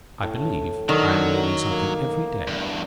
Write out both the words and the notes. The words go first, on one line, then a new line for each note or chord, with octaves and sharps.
"I believe I am learning something every day."
A2
D3 D#3 F#3
A#3
E2 G2